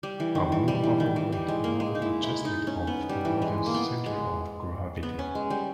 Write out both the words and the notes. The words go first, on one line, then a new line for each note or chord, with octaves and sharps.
A movable weight allowed adjustment of the model's centre of gravity.
G3
E3
D#3
E3
G3
E3
D#3
E3
G3
G#3
A#3
G#3
D#4
E4
E4
D#4
C#4
B3
G3
E3
G#3
A#3
B3
G#3
B3
C#4
G#3
G3